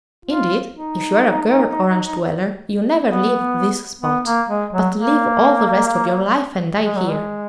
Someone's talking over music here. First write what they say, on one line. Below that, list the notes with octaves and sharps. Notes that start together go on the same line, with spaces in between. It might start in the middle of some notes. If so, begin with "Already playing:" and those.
Indeed, if you are a girl Orange-dweller you never leave this spot, but live all the rest of your life and die here.
F4
D#4
B3
B3
A#3
G#3
F#3
A#3
G#3
F#3
G#3